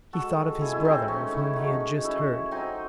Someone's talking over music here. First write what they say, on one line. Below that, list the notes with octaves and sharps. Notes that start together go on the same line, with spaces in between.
He thought of his brother, of whom he had just heard.
G#3 F#4 A4
D#3
G#3 E4 G#4
C#4 E4
D#3 C4 D#4
G#3 A3 C#4
D#3 C#4 E4
G#3 D#4 F#4
D#3
A2 C#4 E4
A2
F#3 C4 D#4